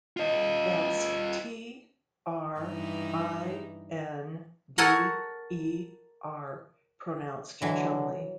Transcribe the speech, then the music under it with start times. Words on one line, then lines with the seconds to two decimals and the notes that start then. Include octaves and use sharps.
That's T-R-I-N-D-E-R, pronounced Chumley.
0.17 F4 D#5
2.60 G2 E3 D#4
4.78 A4 A#4 C#5 F#5 G#5 A#5
7.62 D3 E3 F#3